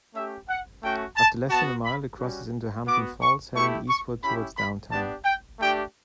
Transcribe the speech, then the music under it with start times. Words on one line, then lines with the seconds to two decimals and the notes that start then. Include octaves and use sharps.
After less than a mile, it crosses into Hampton Falls, heading eastward towards downtown.
0.14 A3 C#4 G4 E5
0.49 F#5
0.83 A3 C#4 F#4 G5
1.16 A5
1.50 B3 F#4 A5
1.84 B5
2.18 G3 C#4 F#4
2.87 B3 F#4 D6
3.21 C#6
3.55 A3 E4 G4 C#6
3.88 C#6
4.22 C#4 E4 G4 B5
4.57 B5
4.90 B3 D4 G4 A5
5.25 G5
5.59 A3 D4 G4 G5